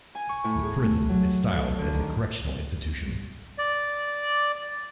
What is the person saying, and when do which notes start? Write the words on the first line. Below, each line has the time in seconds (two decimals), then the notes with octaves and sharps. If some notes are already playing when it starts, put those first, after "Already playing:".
The prison is styled as a correctional institution.
0.15 G#5
0.29 C#6
0.44 A2
0.63 G#4
0.83 A3
1.09 F#3
1.56 A4
1.79 D3
1.94 D#3
3.58 D5